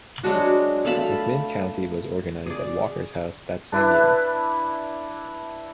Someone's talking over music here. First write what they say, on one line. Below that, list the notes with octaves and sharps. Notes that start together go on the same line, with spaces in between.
McMinn County was organized at Walker's house that same year.
F#3 G#3 D4 F#4
A3 F5 A5 B5
G#4 D5
D4 E4 B4